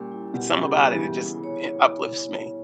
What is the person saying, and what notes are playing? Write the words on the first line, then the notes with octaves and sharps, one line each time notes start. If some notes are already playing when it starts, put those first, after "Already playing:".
It's something about it, it just, eh, uplifts me.
Already playing: A#2 G3 C#4 G4
E4
B2 G4
G4
C#3
G3
E3
G4
E4
C#5